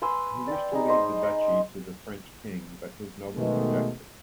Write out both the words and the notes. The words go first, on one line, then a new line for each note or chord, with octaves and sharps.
He wished to leave the Duchy to the French king, but his nobles objected.
B4 G#5 C6 E6
D5 G5
D#4 G#4
D#4 C5 D#5
D#5
B2 D#3 G#3 A3